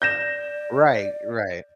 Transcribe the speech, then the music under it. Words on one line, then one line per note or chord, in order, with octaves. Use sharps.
Right, right.
D5 G6 A#6 E7